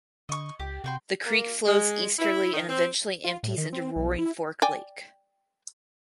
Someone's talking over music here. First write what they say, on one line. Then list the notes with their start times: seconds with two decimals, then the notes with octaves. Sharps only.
The creek flows easterly and eventually empties into Roaring Fork Lake.
0.29 D3 D#5 C#6
0.60 C#2 G4
0.84 C3 F#4 G5 C6
1.26 A#3
1.67 G#3
2.19 E4
2.54 D#3
2.69 C4
3.24 F4
3.43 A2
3.58 D#3
3.73 C4
3.96 B1
4.19 E4
4.62 D5 G5 G#5